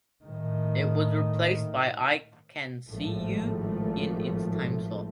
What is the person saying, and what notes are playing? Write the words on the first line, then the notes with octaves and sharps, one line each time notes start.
It was replaced by "I Can See You" in its timeslot.
A2 D#3
G#1 A2 F3 A3